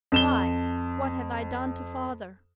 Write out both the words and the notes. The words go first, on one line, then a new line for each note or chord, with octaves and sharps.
"Why, what have I done to father?"
F2 E7 G7